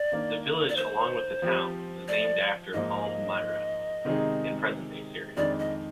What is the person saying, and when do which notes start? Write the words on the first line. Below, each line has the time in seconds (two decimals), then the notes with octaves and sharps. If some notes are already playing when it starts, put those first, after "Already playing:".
The village, along with the town, is named after Palmyra in present-day Syria.
Already playing: D5
0.12 D#3 A#3 D4
0.69 D5
0.76 C5
1.42 F3 C4 G4
2.08 D5
2.73 G#2 F3 A#3 D#4 D#5
4.05 C3 D#3 G#3 D#4 G#4
5.37 F2 D#3 G#3 D4 D5
5.59 D#5